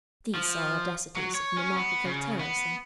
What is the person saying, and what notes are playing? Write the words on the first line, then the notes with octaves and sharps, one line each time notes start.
These are audacities of monarchical terrorism.
F3
F#3
C#5
C#4
B3
C#3
B3